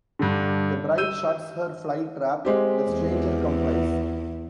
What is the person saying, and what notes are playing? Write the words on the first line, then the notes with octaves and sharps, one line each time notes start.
The bride shuts her fly trap; the stranger complies.
G2 D3
E6 G6 D#7
G#3 C4 G4
E2